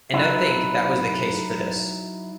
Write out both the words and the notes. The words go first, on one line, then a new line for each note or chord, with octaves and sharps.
And I think that was the case for this.
F#3 D#4 E4